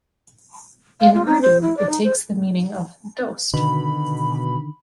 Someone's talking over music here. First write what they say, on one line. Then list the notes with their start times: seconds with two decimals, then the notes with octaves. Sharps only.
In "Urdu" it takes the meaning of "dost".
1.00 F5
1.14 F4
1.26 D#4
1.41 C5
1.62 E4
1.77 D5
1.89 D#4
2.04 C5
3.54 B2 D3 D#3 B5